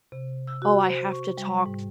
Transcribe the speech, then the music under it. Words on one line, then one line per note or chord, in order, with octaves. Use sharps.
"Oh, I have to talk
C3
E6
F#4
C5
C#6
G3
G#2